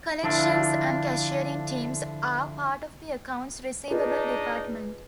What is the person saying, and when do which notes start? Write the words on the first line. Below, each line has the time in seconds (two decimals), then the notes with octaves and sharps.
Collections and cashiering teams are part of the accounts receivable department.
0.23 D3 F3 D4 E4 F4
3.91 D4 D#4 F4 G#4 B4 D#5